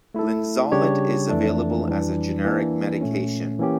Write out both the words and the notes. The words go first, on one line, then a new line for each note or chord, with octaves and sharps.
Linezolid is available as a generic medication.
A3 E4 A4
C#3 G3 D4 G4 C#5
F2 E3 A3 D4
F2 E3 G3 D4
E3 A#3 D4
A#2 A3 C#4
E3 A#3 C#4 G4